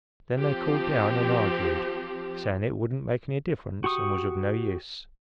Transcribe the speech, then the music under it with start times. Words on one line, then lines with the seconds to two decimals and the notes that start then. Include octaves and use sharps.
Then they cooled down and argued, saying it wouldn't make any difference, and was of no use.
0.36 F3 C4 G4
3.84 F#4 G4 C#6 D#6